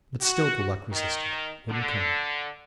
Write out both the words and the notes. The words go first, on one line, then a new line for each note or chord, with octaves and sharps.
But still the luck resisted; wouldn't come.
F#4
D#3
D3